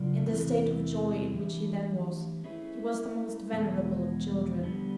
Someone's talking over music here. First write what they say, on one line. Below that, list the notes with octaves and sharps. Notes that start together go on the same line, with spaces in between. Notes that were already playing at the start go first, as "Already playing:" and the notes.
In the state of joy in which he then was, he was the most venerable of children.
Already playing: C#3 F#3 A#3 D4 F4
E2 C3 E3 A3
E3 A3 D4 G4
A3 C#4 E4 G#4 B4
E2 B2 G#3
D3 G3 B3